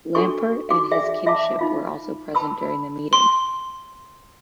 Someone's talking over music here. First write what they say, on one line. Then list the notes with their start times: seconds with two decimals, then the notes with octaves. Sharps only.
Lampert and his kinship were also present during the meeting.
0.15 D4 F#4 A4 G5 G#5 C#6
0.70 D#4 F#4 D6
0.91 G#4 D5 E5 F5 G5 G#5
1.26 E5 F5 G#5 A5 D6
1.59 D#4 F4 F5
2.35 G5 A5 B5 E6
3.13 C6